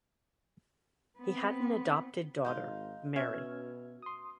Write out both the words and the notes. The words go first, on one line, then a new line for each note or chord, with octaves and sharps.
He had an adopted daughter, Mary.
B3 C4
G#1 D#4 F5 C6
B2 C#4 E5 F6 G#6
C6 D#6